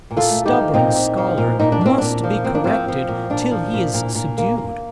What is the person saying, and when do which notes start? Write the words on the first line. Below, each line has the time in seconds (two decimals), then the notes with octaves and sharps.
A stubborn scholar must be corrected till he is subdued.
0.11 A#2
0.17 F4 A4
0.31 A3
0.46 D#4 G4
0.52 F3
0.74 A#2 C4 D#4
0.95 A#2
1.17 F3
1.38 A#2
1.59 A#2 D#4
1.72 D4
1.81 A#2 C4
1.98 A#2 D4
2.24 F3
2.44 A#3 C4
2.55 D4
2.64 F3 C4
2.88 F3
3.08 A#2
3.30 A#2 D4
3.51 F3
3.74 A#2
3.94 A#2
4.15 A#2
4.38 A#3
4.58 A#3